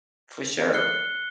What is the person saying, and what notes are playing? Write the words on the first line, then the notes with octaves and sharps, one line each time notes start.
for sure.
F6 F#6 C7 C#7 G7